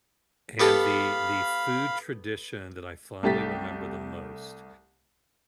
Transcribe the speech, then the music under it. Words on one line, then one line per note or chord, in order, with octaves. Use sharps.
and the the food tradition that I fondly remember the most
B3 G4 A4 F5 B5
C2 A3 G4 A6 B6